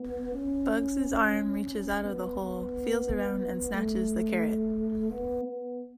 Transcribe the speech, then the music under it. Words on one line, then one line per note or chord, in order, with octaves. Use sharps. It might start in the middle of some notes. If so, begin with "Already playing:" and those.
Bugs' arm reaches out of the hole, feels around, and snatches the carrot.
Already playing: B3
C#4
C#4
B3
B3
A3
B3
B3